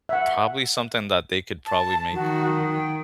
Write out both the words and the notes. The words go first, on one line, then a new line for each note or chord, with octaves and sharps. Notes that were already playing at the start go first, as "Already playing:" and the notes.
probably something that they could probably make
E5 F#5
A5
D#3 F#4
G5